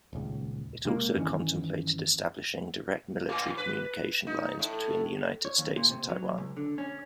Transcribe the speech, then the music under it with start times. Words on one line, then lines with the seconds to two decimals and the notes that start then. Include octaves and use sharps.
It also contemplated establishing direct military communication lines between the United States and Taiwan.
0.13 D#1 C#2
0.85 C3 G#3 A#3
1.16 G2 D#3 E3 C#4
3.29 A2
3.57 B4
4.27 D#4
4.59 A2
5.45 C#5
5.58 D#2
5.77 A#2
5.90 C3
6.09 F#3
6.38 C#2
6.57 D3
6.78 C#4